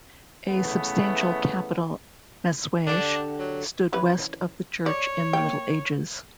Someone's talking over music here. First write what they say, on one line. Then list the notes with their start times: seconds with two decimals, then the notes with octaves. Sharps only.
A substantial capital messuage stood west of the Church in the Middle Ages.
0.49 C#3 E3 A3 B3
2.87 D3 D4 G4 F#5
3.39 F#3
3.93 E3 C#4 B4
4.86 C#5 D5
5.33 A#3 G5